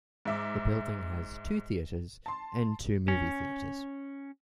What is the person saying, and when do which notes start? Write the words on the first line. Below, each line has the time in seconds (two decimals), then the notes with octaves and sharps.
The building has two theaters and two movie theaters.
0.25 G#2 E5 D6
2.26 A5 C6
3.08 C#4